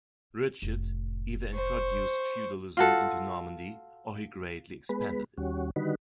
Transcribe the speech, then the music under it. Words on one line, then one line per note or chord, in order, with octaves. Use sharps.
Richard either introduced feudalism into Normandy or he greatly expanded it.
F1 A2
C5 C#6
F4 F#4 A4
G#3 B3 B4
D#2 G3 C#4 F#4
D3 D#3 G3 D#4 F#4 B4